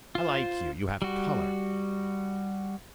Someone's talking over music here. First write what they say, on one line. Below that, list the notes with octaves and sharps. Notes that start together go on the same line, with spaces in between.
I like you--you have color.
F4 C5
G3 F#4